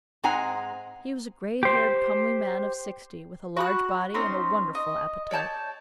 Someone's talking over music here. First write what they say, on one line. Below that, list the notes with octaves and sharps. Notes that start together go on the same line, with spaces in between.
He was a grey-haired comely man of sixty, with a large body and a wonderful appetite.
G#2 G#3 C4 F#5 G#5 A#5
G4 C5
F#4 B5 F#6
C4 C#4 D#4 C6
D#5
C#5 D5 A5 G6